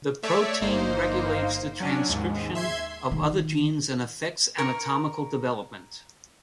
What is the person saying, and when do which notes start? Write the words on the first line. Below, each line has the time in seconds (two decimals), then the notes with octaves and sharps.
The protein regulates the transcription of other genes and affects anatomical development.
0.23 A3 C#5 D5 E5
0.61 G1 A#3 D#4 C5
1.80 F#3 C#4 D4
2.09 D#2 G#2
2.55 E5 C6 G#6
3.12 D#3 D#4
4.58 A#4 C#6